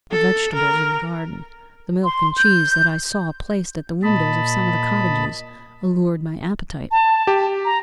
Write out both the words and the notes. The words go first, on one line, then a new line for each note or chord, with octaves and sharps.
The vegetables in the gardens, the milk and cheese that I saw placed at the windows of some of the cottages, allured my appetite.
A4
A#4
C6
G6
A#2 D#5 A5 B5
A5
G4
A#5